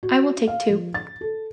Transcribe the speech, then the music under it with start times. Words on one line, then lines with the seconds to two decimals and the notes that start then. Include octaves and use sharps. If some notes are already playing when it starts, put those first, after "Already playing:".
I will take two.
0.03 F#4
0.48 F5
0.70 F3
0.94 A6
1.21 A4